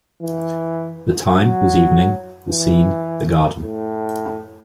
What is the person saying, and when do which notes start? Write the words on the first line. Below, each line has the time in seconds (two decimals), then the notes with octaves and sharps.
The time was evening; the scene the garden.
0.22 E3
1.35 F#3
2.49 E3
3.63 A2